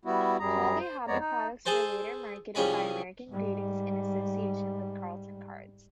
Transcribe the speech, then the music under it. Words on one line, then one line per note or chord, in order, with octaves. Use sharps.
Holly Hobbie products were later marketed by American Greetings in association with Carlton Cards.
G3 B3 E4 F#4
F#2 G3 G#4 A#5
C5
F2 G#3 B3 C#5 D5 A#5
D#4
G#4 A4 C5 C6
C2 F3 C#4 G#4 B5
G#2 G3